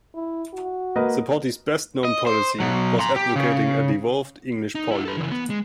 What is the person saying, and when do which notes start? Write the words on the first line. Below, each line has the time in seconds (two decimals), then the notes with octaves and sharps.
The party's best known policy was advocating a devolved English parliament.
0.15 E4
0.53 F#4
0.96 A#3 B4 D#5
2.05 D#5
2.27 C5
2.60 B2 F#3
3.00 A#5 C6
3.16 G4
3.36 C#3
4.75 D#4
4.91 E4 F#4
5.05 A4 B4
5.17 C#3 E3
5.31 B3
5.50 G#3